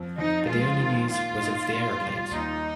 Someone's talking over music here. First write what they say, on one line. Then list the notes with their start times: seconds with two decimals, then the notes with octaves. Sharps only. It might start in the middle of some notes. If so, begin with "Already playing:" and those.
But the only news was of the aeroplanes.
Already playing: F2
0.18 F2 D#4
0.49 G#3 F4
0.80 D#3
1.10 A#2 F4
1.40 D#4
1.71 A#3
2.01 G3
2.32 D#2 D#4